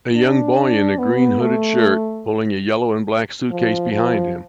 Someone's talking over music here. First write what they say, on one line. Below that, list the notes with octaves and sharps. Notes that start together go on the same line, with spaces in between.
A young boy in a green hooded shirt pulling a yellow and black suitcase behind him.
D4
B3
A3
F3
F3